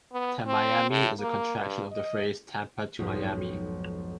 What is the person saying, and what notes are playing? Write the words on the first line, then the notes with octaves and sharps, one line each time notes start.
Tamiami is a contraction of the phrase "Tampa to Miami".
B3
C4
A2
A#3
G2
D#5
B1 F2 G#2 B2